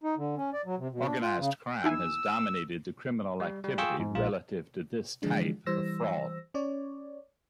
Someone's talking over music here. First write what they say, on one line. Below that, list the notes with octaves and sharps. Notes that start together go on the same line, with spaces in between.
Organized crime has dominated the criminal activity relative to this type of fraud.
D#4
D3
C#4
D5
F#3
C3
B2
D4
F4
C#3
D#4 E4 G#5 E6
G3
G3
F4 G#4 G5 C#6 E6
G#2
A#1 A#2 F4
D3 E3 F3 G#3 D4
E3 G3 C5 E6 A#6
C#4 C#5 D5